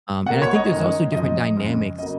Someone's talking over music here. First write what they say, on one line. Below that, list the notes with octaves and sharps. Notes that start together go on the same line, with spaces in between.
um, and I think there's also different dynamics,
B2 A#3 F#5
C#5
D#5
F#2 D#3 G#3
F#2 F3 G#3 D#5
F2 C#3 G#3
C#3 F#3 A#3 D#5